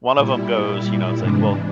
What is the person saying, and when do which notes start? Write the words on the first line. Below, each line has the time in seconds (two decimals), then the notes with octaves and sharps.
one of them goes, you know, it's like, "Well,
0.16 A#2 G3 E4
1.18 G#2 C3 E3 G#3 D4